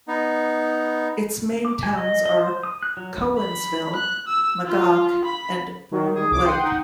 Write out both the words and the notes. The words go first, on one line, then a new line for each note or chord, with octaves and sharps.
Its main towns are Cowansville, Magog, and Brome Lake.
B3 D#4
D6
G#5
D#5
D#5
C5
D#6
F#6
F#3
B5
F#6
E6
F4
B5
D#3
G#4
C2 G#4 D6
F#5 G5 C6 D#6
D#4